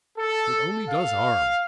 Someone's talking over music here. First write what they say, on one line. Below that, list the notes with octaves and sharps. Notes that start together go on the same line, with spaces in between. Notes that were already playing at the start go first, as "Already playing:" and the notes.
It only does harm.
A4
F5